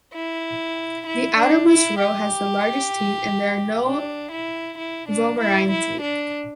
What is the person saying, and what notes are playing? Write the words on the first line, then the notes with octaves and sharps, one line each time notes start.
The outermost row has the largest teeth and there are no vomerine teeth.
E4
E4
D4
E4
G4
D4
E4
E4
D4
E4
E4
D4